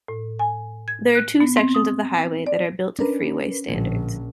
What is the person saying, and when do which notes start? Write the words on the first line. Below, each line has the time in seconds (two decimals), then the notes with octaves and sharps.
There are two sections of the highway that are built to freeway standards.
0.08 A2
0.39 G#5
0.88 G#6
1.15 F#6
1.40 B3
1.57 C4
1.74 D#6
2.47 D5
2.99 C#4 D4 A#4 B4
3.69 A#1 A2 D3 F3